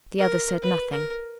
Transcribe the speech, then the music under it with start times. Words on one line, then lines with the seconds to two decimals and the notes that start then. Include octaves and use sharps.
The other said nothing.
0.18 A#4
0.62 B4
0.91 A#4